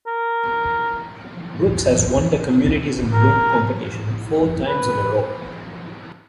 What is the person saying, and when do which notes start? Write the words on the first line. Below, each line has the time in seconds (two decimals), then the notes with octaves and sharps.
Brooks has won the Communities in Bloom competition four times in a row.
0.07 A#4
3.13 A#4
4.67 B4